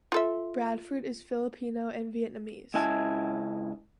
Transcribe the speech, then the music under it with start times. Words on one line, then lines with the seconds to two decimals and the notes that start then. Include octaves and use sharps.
Bradford is Filipino and Vietnamese.
0.12 F4 A4 E5
2.74 C#2 C#3 E4 D#5 G#5 A5